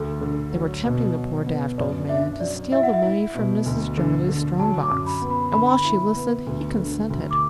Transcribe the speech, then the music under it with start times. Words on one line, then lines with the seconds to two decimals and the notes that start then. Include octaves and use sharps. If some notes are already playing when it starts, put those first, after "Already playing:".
They were tempting the poor daft old man to steal the money from Mrs. Jarley's strong box, and while she listened he consented.
Already playing: D2 A4
0.21 D3
0.53 F#3
0.84 B2
1.15 F#3
1.46 B3
1.78 F#2 D5
2.08 D4 E5
2.40 F#3 D5
2.72 E4 E5
2.83 F#5
2.93 E5
3.02 E4
3.35 B2
3.66 D2
3.97 D3
4.29 D3
4.59 F#3 A5
4.83 D6
4.90 F#2
5.07 B5
5.22 B3
5.30 B5
5.53 D3 B5
5.84 E4
6.16 B3
6.47 D2
6.79 D3
7.10 D2
7.31 D6